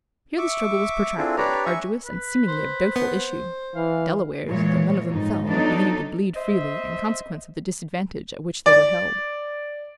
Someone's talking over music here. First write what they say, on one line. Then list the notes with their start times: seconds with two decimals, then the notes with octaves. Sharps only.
Here the struggle was protracted, arduous and seemingly of doubtful issue; the Delawares, though none of them fell, beginning to bleed freely, in consequence of the disadvantage at which they were held.
0.38 E5 C#6 D6
1.18 C4 D4 E4 F4 G#4 A4
1.37 D4 G4 B4 C#5 D5 A#5
1.65 E5 G#5 C#6
2.06 B4
2.48 C5
2.96 B3
3.75 E3 F5
4.47 A#2 E3 G#3 C#5
5.10 F2 G#2 D#4
5.48 F3 F#3 B3 D4 D#4 A4
6.36 C5 D#5 E5
8.66 D5